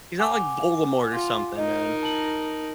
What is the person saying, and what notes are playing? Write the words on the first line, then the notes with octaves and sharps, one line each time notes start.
he's not, like, Voldemort or something, man.
F#5 G#5 D6
F4
D#4 A#4 D#5
A5 F#7